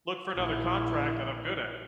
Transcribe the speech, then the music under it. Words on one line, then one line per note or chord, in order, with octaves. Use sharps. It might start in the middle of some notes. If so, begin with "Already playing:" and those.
look for another contract that I'm good at.
A#1 E4